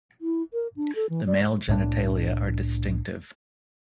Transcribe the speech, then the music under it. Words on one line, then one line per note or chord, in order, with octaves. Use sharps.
The male genitalia are distinctive.
E4
A#4
D4
A4
E3
D5
C2 A2 D4